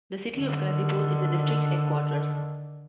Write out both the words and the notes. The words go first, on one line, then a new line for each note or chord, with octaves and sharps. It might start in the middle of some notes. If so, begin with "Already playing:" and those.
The city of Ghazipur is the district headquarters.
D3 D#3